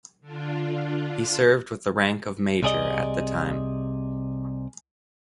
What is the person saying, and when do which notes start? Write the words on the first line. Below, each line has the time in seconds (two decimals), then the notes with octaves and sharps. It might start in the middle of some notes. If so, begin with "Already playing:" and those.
He served with the rank of Major at the time.
0.21 D3 D4 F4
2.63 C2 C3 G#4 D5 D#5